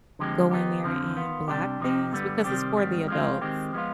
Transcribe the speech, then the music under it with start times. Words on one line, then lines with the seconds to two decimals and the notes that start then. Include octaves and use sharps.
go in there and block things, because it's for the adults.
0.19 D3 F3 G#3 C4 G4
0.51 D#3 B3 D#4 G4
0.84 F2 D3 F3 C4
1.15 D#3 B3 F4
1.48 C3 G3 D4 G4
1.80 C3 F3 C4 D#4 G4
2.12 G2 D3 G3 B3
2.44 C3 D#3 G3 C4 G4
2.76 G#2 D#3 G3 C4
3.08 F3 G#3 C4 F4
3.41 D#3 G#3 C4 G4
3.73 F3 G#3 B3 F4